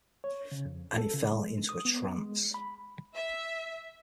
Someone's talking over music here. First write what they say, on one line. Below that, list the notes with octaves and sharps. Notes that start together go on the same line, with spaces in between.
And he fell into a trance.
C#5
C#3
F2
A4
C#3
G#3
D#6
B3
G#3
B5
E5